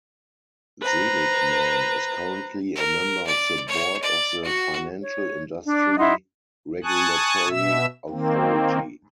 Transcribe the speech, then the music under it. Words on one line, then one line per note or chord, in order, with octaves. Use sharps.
Seligman is currently a member of the board of the Financial Industry Regulatory Authority.
B4 C5 A#5
A#4
D5
C#5
D5
F#4
C#5
D4 D5
D#4 E4 F#5 C6
G#5 A5 C#6 D#6 F#6
B2 E5 E6
D#3 A#3 C4